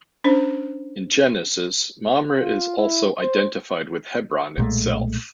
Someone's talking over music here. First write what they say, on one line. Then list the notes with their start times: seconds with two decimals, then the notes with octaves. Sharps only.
In Genesis, Mamre is also identified with Hebron itself.
0.24 C#4 D4 C5
2.41 F4
2.78 E4
3.21 C5
4.58 B1 A#2 G#3 A3